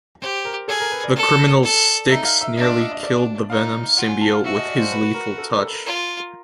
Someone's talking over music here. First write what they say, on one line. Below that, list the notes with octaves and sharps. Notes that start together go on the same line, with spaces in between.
The criminal Styx nearly killed the Venom symbiote with his lethal touch.
G4 C5
A#4
G#4 A4
A#4
B4
D5
A4
A4
D#4 E5
F5
E5
D4 D#5
D5
D#5
D#5
D4 D5
D5
D#4 F5
F4 F#5
G#5
A5
F5
F#4 E5
D#5
D5
C5
B4
A#4
A4
A#4
A4
A#4
F4